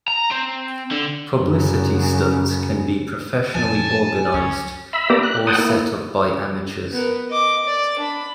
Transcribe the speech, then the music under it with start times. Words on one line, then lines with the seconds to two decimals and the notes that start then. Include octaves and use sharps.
Publicity stunts can be professionally organized, or set up by amateurs.
0.08 A#5
0.31 C4
0.91 D3
1.36 F#2 C#3
3.55 F#2 A#2 F3 G#5 A5
4.34 C#2 C#4
4.93 E5 B5
5.10 A#3 B3 G4 D5 E5 A#5
5.23 F#6
5.47 F#5 G5 A5 D#6
5.58 A#3 E4
6.92 B3 A#4
7.29 D#5 D6
7.66 D5
7.99 D4 B5